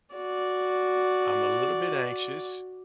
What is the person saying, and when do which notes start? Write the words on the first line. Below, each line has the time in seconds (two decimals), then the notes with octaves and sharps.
I'm a little bit anxious.
0.15 F#4 D5